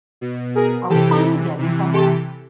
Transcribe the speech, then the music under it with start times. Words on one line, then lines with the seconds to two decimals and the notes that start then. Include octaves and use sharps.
Are we finally getting somewhere?
0.21 B2
0.55 G#4 A#4
0.90 C3 E3 G4 A4
1.58 C3 E3
1.93 G4 A4